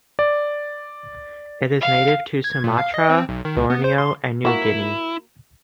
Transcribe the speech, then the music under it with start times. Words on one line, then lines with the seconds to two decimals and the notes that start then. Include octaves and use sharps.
It is native to Sumatra, Borneo, and New Guinea.
0.19 D5
1.81 F5
2.44 G#6
2.64 A#2
2.78 F5
2.94 D#5
3.10 C4
3.29 B1
3.45 D#3
3.57 C#2
3.70 B3
3.84 C5
3.98 C6
4.45 A#3 E4 F#4 A#4